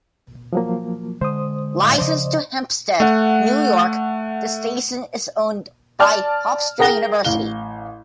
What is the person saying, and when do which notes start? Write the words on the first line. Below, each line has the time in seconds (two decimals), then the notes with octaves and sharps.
Licensed to Hempstead, New York, the station is owned by Hofstra University.
0.53 F3 F#3 A#3
1.21 D3 G#3 C5 D#6
1.83 A2 D#5 F5
1.98 C#3 F3 C5 D5 D#5
3.00 A3 F#5
6.00 D5 A5 F6
6.79 G#4 A#4 G5 A#6 G7
7.25 A1 F5 G7